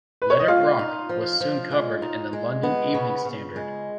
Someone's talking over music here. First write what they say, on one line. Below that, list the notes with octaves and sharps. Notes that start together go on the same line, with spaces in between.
"Let It Rock" was soon covered in the "London Evening Standard".
B4
C#5
D#5
G#3 F4 F5
D#4
F3
F3
G#3
D#4
G#3
B3
C#3
C#3
G#3